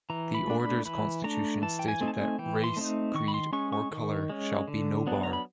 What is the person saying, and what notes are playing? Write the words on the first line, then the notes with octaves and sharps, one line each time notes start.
The Orders constitution stated that "race, Creed or Color shall be no bar".
E3 A#5
B5
A3 D4
B5
E3 B5
A3 D4 A#5
E3 A5
G5
G#5
A3 C4 D#4
A5
G#5
E3 G5
C6
A3 C4 D#4
D#3 C#6
B5
C6
G#3 C#4 C#6
C#6
D#3
G#3 C#4
D3
F#3 B3 D4
A#5
B5